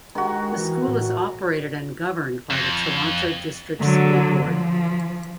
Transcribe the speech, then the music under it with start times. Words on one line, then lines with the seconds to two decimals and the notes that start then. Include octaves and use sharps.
The School is operated and governed by the Toronto District School Board.
0.15 D#3 G#3 F#4
0.58 E3
0.88 A2
2.50 F2
3.80 D3 F#3
4.44 F3